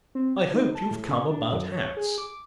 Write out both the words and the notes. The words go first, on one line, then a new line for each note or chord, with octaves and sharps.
I hope you've come about hats.
C4
G#6
D#4
A5
A2
C#4
D4
F#2
C#5
G#4
D6